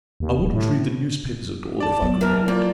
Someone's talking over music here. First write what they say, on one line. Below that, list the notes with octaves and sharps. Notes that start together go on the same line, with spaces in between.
I wouldn't read the newspapers at all if I could help it.
D#2
D1
A2
D5 A5
F#3 B3
D#2 E3 A#4
F2 A#3 D5